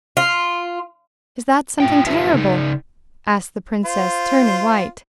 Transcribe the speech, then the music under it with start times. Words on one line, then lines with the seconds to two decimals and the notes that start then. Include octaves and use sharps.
"Is that something terrible?" asked the princess, turning white.
0.17 F4
1.80 A2 F4 G5
2.06 D#4 F4 G4 B4 E5 A5
2.33 C#3 D#4
3.85 F4 C5